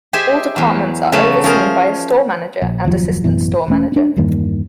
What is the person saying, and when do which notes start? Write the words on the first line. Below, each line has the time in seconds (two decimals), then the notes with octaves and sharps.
All departments are overseen by a Store Manager and Assistant Store Manager.
0.13 G4 G#4 C5 D#5 E5 G#5
0.56 E2 F#3
1.12 C#3 F3 F#3 A3 B3 C#4
1.44 F3 C#4 G#4 A#4 C5
2.62 A#1
2.85 F#1 D#2 F3 F#3
3.24 A1 F#2 B2 E3
3.68 E1 A3 C#4
3.92 C#4 D4
4.16 E2 G2 D#3 A#3